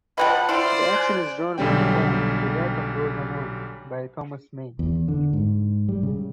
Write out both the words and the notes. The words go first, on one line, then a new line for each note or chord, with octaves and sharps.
The action is drawn from the poem "The Death of Rosamond" by Thomas May.
F3 G#3 B4 D#5 F#5 G5 A5
E4 F4 C5 D5
G#5 F#6
B1 D3 G3 C#4 G5
E2
D3
G#2
G3
C#3